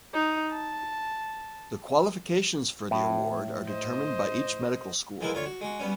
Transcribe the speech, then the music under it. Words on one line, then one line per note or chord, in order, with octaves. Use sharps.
The qualifications for the award are determined by each medical school.
D#4
A5
A2
C5 D#5
E3 F3 G#3 E4 A#4
D2 F4 C#5
F#4
G#3 F#4
G3 B3 C#4